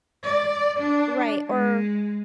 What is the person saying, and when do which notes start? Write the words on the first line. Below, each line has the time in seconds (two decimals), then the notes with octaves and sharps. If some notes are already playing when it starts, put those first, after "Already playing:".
Right, or
0.23 D5
0.79 D4
1.47 G#3